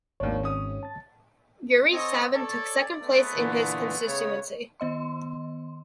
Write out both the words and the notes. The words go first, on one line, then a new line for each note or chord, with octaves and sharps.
Yuri Savin took second place in his constituency.
G#1 D#2 D4 C#5
C#4 D#6
A5 A6
C4 A4 C#5 D#5
A4 C#5 D5
G#3 A3 B3
A#2 D3 E3
C#3 C#5
D#3 B3 D#5 C6